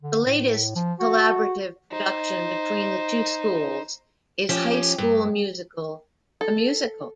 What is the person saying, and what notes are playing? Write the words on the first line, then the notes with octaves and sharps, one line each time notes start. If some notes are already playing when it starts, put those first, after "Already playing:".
The latest collaborative production between the two schools is High School Musical: The Musical!
D3
A2
F3
F#4
D#4 C5
F3 C#4 G4
G2
A4